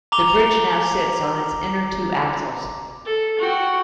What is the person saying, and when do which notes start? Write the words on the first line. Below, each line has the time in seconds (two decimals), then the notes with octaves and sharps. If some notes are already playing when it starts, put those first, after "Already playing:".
The bridge now sits on its inner two axles.
0.12 A#5 D6 F7 G7
3.05 A4
3.39 F#4 G5